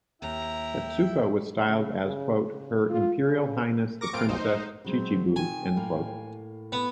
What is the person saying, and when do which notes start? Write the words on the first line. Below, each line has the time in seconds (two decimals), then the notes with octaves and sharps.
Setsuko was styled as "Her Imperial Highness The Princess Chichibu".
0.22 D#2 E4 G5 A#5
1.65 C#3
2.04 C#3
2.50 C#3
2.90 F4
3.20 C#3
4.01 A#4 C#6 D6 A#6
4.13 A2 C4 F4 A#4 G#5 D7
4.29 B1 F2 G#2 D#4 C5
4.42 D#5
4.84 C#3 F#3 G#3 C4
5.36 C3 D#3 G5 G#5
5.76 A2 A#3 A#4
6.72 B3 B5